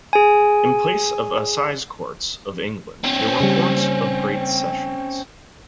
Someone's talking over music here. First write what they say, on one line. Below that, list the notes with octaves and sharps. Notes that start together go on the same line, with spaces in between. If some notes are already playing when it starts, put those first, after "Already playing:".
In place of assize courts of England, there were Courts of Great Sessions.
G#4 G#5
C4 C#4
C#3 G3